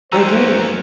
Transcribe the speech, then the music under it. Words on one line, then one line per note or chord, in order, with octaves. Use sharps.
They do.
D#2 C4 C#4 C5 A#5 E6